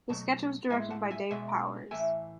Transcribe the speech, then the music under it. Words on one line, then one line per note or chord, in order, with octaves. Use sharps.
The sketch was directed by Dave Powers.
B2 F#3 A3 A5
A2 G#3 E5 G#5
F#5 A5
E5 G#5
B2 G#3 E5 G#5
A2 E3 A3 E5 G#5